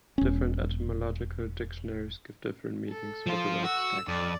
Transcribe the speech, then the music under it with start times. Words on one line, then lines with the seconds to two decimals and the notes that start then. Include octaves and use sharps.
Different etymological dictionaries give different meanings for the word stack.
0.18 E1 C#4
2.89 A4
3.27 F3 F4
3.64 F#4 E6
4.08 F2 D5